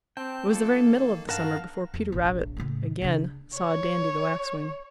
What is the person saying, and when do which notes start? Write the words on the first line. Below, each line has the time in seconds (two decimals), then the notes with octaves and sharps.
It was the very middle of the summer before Peter Rabbit again saw Dandy the Waxwing.
0.17 C4 G5 A5
0.51 F2 A#3 A4
0.85 D#3
1.29 G2 A#4 F5 F#5 A5 A#6
1.94 F2
2.12 E1 A1
2.57 A2 C#3
3.02 C#3 D4
3.57 C#5